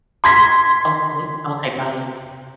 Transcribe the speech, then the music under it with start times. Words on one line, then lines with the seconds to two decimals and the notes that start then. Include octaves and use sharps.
okay, okay, by
0.24 C6 G#6 B6